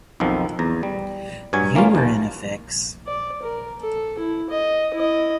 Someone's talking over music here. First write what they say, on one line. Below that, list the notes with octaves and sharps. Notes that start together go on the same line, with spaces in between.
You were in a fix.
B1 F2 D#3 F3
E2 A#5
G3
G2 F#3 C#5 G#5
E3 A#3 C#4 F4
D#2 A5
D5
A#4
A4
E4
D#5
E4 D#5